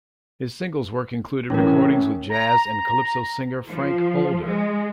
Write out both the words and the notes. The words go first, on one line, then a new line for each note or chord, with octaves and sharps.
His singles work included recordings with jazz and calypso singer Frank Holder.
A2 E3 C#4 A#4
A#5
F3
G#3